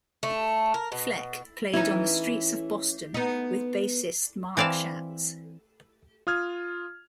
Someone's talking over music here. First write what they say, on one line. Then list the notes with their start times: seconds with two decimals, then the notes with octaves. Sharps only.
Fleck played on the streets of Boston with bassist Mark Schatz.
0.23 A3
0.74 A#4
0.92 B2
1.73 E3 C#4 D#4 E4
3.14 B3 D#4
4.57 E3 C4 D5 F5 A5
6.27 F4 D#6 F6 G#6